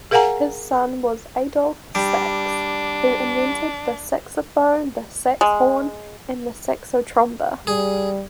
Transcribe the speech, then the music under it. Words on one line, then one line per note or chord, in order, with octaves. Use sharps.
His son was Adolphe Sax who invented the saxophone, the saxhorn and the saxotromba.
G#4 A#4 F5 F#5 G#5 A#5
G3 D4
G#3
G3 G#4